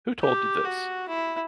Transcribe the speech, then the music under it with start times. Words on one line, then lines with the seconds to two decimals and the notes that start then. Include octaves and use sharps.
Who told you this?
0.23 G4
0.65 F#4
1.08 E4